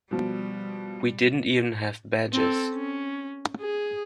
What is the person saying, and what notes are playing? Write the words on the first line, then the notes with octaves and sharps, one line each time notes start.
We didn't even have badges.
B2 F3 G3
C4 A4
C#4
G#4